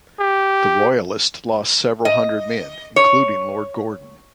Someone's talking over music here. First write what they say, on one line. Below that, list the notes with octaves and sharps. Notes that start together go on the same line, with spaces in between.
The Royalists lost several hundred men, including Lord Gordon.
G4
D#5
C#5